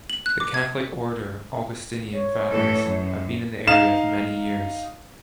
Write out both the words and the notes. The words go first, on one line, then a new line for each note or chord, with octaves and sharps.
The Catholic order Augustinian Fathers have been in the area for many years.
F#7
F#6
D6
G#6
C#5
A2 E3 A4
F#2
D#4 F5 E7